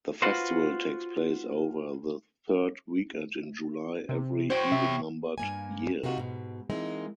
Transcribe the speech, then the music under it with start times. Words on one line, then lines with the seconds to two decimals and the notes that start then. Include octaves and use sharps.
The festival takes place over the third weekend in July every even-numbered year.
0.22 F4 F#4 B4 C5
4.09 C3
4.50 F#4 C5 C#5 G5 C#6
4.72 C3 E5
5.38 G2 A#3 G#5
6.03 C3 D#4 F4 F#4
6.18 G#2 B2
6.70 E3 G#3 A#3 C4 D#4